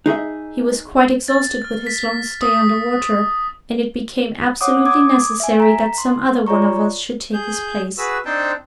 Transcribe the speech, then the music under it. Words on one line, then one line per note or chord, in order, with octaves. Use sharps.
He was quite exhausted with his long stay under water, and it became absolutely necessary that some other one of us should take his place.
D#4 G#4 D#5 E5
A6
F6
B6
D#6
C#5 F#5 D6 D#6
D6 D#6 G#6
E5 G#5
A#5 B6
C6
F4 C#5 D5 A#5 C#6
G#4 G6
F#4 G#4 B4 E6
C4 D4 D#4 C5 G5 A5